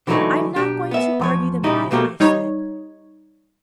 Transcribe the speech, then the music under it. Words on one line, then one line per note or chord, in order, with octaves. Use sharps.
'I am not going to argue the matter,' I said.
D3 E3 F#3 G3 A3 D#4
B1 D4 G4
B3 E5
E2 F3 C#5
A#2 C#3 D#4 E4 G4 D#5
B1 B2 A3 A#3 G4 A#4
G3 D#4 C#5